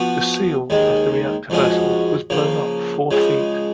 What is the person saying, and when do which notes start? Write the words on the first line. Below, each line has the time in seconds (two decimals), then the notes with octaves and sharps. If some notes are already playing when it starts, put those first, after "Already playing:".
The seal of the reactor vessel was blown up four feet.
Already playing: F3 B3 F#4
0.70 D#2 D#3 G#3
1.50 F2 F3 G#3 C#4 F#4
2.30 C#3 F3 A#3
3.11 C#3 F3 G#3